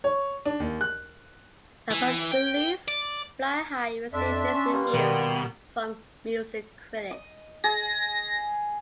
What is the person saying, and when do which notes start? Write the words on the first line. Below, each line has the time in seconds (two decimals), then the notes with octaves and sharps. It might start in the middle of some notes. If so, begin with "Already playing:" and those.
Upon its release, "Fly High" received mixed reviews from music critics.
0.04 C#5
0.46 D4
0.60 D#2
0.81 F#6
1.91 E3
2.32 G5
2.88 D5
4.13 F2 D4 E5 C6
4.52 C#4
4.71 G3 A#3 B3
4.95 B2 D#3
7.11 D#5
7.64 G#4 A#6